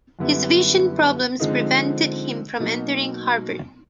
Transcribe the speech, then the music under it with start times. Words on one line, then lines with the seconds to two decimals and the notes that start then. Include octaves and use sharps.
His vision problems prevented him from entering Harvard.
0.19 F#2 D3 G3 B3 E4
1.40 D3 F3 G#3 C4 D#4
2.60 B2 F#3 A#3 D#4